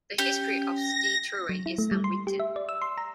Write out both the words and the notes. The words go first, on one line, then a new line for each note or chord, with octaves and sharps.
The history of ski touring is unwritten.
C#4 G4
A#6
F#3
E4
A3
G3
C6
G4
E5
D5
E6
C6
A#5